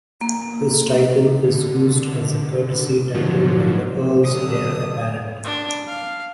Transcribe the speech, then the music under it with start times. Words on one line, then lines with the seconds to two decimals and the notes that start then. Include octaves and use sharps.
This title is used as the courtesy title by the Earl's heir apparent.
0.21 A#3
1.44 D3
3.14 G#2 D3 F3 F#3
4.23 D3 F#3 D#6
5.44 D4
5.87 F5